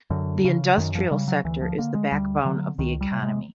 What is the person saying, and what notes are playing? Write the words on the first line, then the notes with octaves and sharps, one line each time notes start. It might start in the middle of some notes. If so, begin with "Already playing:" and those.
The industrial sector is the backbone of the economy.
F#2 D3
C#3
F#2 D#3
F3
C#3 G3
F#3
D2 E3
F3
D3 A#3
G#3
D2 G3
D3 F#3
C#2 D#3
G3
C3
G#3